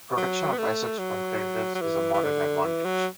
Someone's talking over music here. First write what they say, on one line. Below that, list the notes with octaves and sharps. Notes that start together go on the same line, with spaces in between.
Protection of assets from creditors is a modern advantage.
F#3
B3
A3
F#3
F#3
E3
E3
D3
E3
F#3